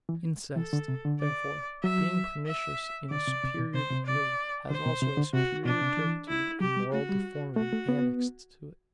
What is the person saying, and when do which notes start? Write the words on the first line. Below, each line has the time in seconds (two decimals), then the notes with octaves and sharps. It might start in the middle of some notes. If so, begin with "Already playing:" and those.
Incest, therefore, being PERNICIOUS in a superior degree, has also a superior turpitude and moral deformity annexed to it.
0.09 E3
0.56 E3 A4
0.73 D3
0.88 C3
1.05 D3
1.20 D5
1.83 F#3 E5
2.47 E5
3.11 D3 D5
3.28 C3
3.43 C3
3.59 B2
3.74 C3 C5
3.91 C3
4.06 D5
4.70 D3 C5
4.86 B2
5.02 C3
5.17 D3
5.34 C3 F#4
5.65 B2 D4
5.82 C3
5.97 E3
6.29 E4
6.61 F#3 G4
6.76 G3
6.93 A3 F#4
7.09 G3
7.56 A3 F#4
7.73 A3
7.89 B3